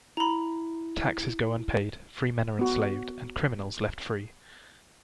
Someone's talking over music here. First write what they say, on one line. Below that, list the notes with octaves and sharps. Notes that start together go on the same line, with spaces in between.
Taxes go unpaid, free men are enslaved, and criminals left free.
E4 A#5 B5
B3 F#4